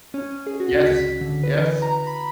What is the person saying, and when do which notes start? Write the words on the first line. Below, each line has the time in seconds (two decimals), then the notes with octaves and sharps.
Yes. Yes.
0.14 C#4
0.47 G#4
0.60 F#4
0.72 C#2
0.85 B6
1.21 D3
1.43 B4
1.59 E3
1.82 A#5
2.07 B5